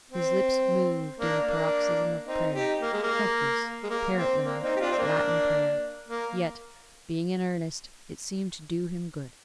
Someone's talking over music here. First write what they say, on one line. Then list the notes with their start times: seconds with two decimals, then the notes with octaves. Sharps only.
His lips moved in a paroxysm of prayer--helpless, parrot-learnt, Latin prayer; yet, being in earnest, it seemed to do him good.
0.11 C4
1.20 A#3 D4
1.47 A#3 D4
2.27 C4 D#4
2.54 D#4 G4
2.82 A#3
2.93 G#3
3.02 A#3
3.83 G#3
3.90 A#3
4.17 C4
4.45 A#3 D4
4.62 C4 D#4
4.76 G4
4.80 D4 F4
4.91 C4
4.99 A#3 D4
6.08 A#3